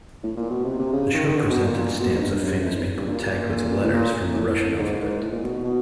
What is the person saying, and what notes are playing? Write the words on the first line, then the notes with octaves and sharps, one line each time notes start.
The show presented stamps of famous people tagged with letters from the Russian alphabet.
A2
A#2
B2
C3
C3
C#3
D#3
D#3
D3
B2
A#2
A#2
B2
G#2
G2
F#2
F2
E2
G2
A#2
A2
A#2
A2
G#2
G#2
A2
A#2
B2
B2
B2